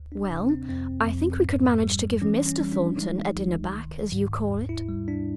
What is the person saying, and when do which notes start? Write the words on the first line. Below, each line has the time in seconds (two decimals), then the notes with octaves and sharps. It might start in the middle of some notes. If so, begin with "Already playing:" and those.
'Well, I think we could manage to give Mr. Thornton a dinner back, as you call it.
Already playing: D2
0.12 D4
0.30 C3
0.50 C4
0.69 F2 C4
1.07 F2
1.44 G#2
1.84 G3
2.22 E3 C#4
2.46 C#4
2.60 G3
2.72 D4
2.97 G#3 D#4
3.35 C#2
3.74 D#3
4.12 G#2
4.51 D#2
4.69 E4
4.89 G3
5.08 D4